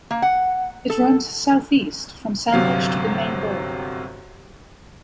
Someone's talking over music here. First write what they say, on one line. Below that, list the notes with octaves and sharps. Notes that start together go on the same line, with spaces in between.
It runs southeast from Sandwich to the Maine border.
A#3
F#5
A4
G1 C3 F#3 F5